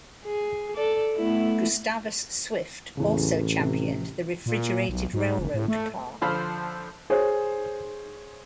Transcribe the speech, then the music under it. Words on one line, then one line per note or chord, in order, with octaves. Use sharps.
Gustavus Swift also championed the refrigerated railroad car.
G#4
A4 D5
A3 B3 E4
A1 E2 C#3
C3
A#2
B1
G#2
F#1
A2
A3
D3 F3 A4 C5 F5 B5
G#4 C5 C#5